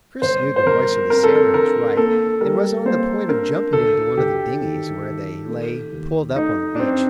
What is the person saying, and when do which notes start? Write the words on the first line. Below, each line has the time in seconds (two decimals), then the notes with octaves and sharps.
Chris knew the voice of the sailor was right, and was on the point of jumping into one of the dinghies, where they lay pulled up on the beach.
0.22 G1 C5
0.56 C5
0.66 G1 A#4
1.10 C4 A#4
1.23 A4
1.35 A#4
1.54 D3 A#4
1.97 A#3 A4
2.41 G3 A#4
2.85 A#3 C5
3.29 D4 A#4
3.73 D2 A4
4.17 D2 G4
4.61 D#3
5.04 D#3
5.48 A3
5.92 D#2
6.36 A3 D#4
6.75 D4
6.79 F#2 C4